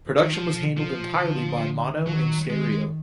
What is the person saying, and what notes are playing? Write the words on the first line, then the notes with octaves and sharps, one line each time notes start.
Production was handled entirely by Mono En Stereo.
D#3
B2 F3
F3
D3
D#3 F#3
D#3 G#3